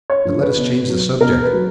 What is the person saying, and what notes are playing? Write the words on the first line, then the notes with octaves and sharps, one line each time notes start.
But let us change the subject.
C#5
D3 F3
B4
B2
F#3
B2 A#4
B4
F#3